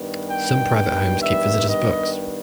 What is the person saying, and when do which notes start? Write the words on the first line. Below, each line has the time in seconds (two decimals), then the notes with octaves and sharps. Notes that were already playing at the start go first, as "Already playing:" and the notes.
Some private homes keep visitors' books.
Already playing: G2 D#3 G3 B3
0.29 G5
0.76 G5
1.22 E5
1.68 D#5